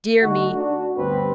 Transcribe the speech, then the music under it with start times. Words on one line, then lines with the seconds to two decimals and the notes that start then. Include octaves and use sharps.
Dear me!
0.22 D3 A3 D#4 F#4
0.54 D4 F#4
0.97 D2 G2 B3 C4 G4 B4